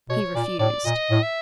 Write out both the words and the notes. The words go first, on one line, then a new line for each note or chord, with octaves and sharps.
He refused.
B2 C#5
A#2 D5
A2 D5
A#2 D#5
A2
E5